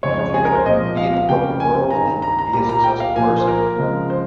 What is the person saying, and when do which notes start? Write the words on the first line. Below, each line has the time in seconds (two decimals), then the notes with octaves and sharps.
you know? If you're gonna be in the corporate world and be a successful person
0.03 F2 C#3 G#3 C4 C#5
0.19 C#5
0.34 G#4
0.45 A#4
0.55 C5
0.66 A#2 F3 G#3 C4 D#5
0.97 F5
1.13 F5
1.29 F2 C#3 G3 C#4 G5
1.60 G#5
1.90 G2 D#3 G3 C4 A#5
2.22 A#5
2.39 A#5
2.53 A#2 G3 A#3 A#5
2.69 A#5
2.84 G5
3.00 F5
3.15 A#2 F3 A#3 G#5
3.38 C5
3.47 A#4
3.78 C#3 F3 G#3 C4
4.10 C5